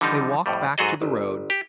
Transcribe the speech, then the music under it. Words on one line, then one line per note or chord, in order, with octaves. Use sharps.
They walked back to the road.
D3 E3 F3 G3 D#4
F2 A2 G3
G#2 F#3 F#4 G#4 A4 D#5
G1
G4